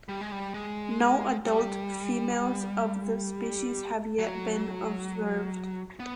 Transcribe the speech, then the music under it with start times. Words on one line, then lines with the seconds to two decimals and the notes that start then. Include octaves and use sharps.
No adult females of the species have yet been observed.
0.09 G3
0.21 G#3
0.32 G3
0.54 G#3
1.45 G3
4.19 F#3
6.00 B3